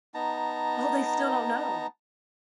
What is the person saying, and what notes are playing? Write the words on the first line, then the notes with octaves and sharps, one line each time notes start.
Oh, they still don't know.
B3 D#4 A5 A#5